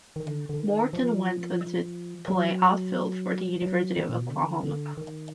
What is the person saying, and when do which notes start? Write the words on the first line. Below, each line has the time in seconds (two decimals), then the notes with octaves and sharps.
Morton went on to play outfield for the University of Oklahoma.
0.16 D#3
0.26 D3
0.49 D3
0.60 D#3
0.93 F3
2.28 F#3
3.62 F#3
3.97 D#3
4.09 A#2
4.20 B2
4.30 D3
4.63 D3
4.97 D#3